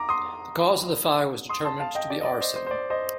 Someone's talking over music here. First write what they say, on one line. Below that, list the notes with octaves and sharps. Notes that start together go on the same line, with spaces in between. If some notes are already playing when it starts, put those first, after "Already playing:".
The cause of the fire was determined to be arson.
Already playing: A#5 D6
C6 D#6
C6 D#6
A5 C6
F5 A5
D#5 G5
D5
D#5
D5
C5 D#5
C5
C5
D5
C5 D#5